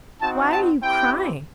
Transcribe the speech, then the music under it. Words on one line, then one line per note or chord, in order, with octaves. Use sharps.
Why are you crying?
C4 D#4 F#4 A5
A5
C4 E4 G4 G5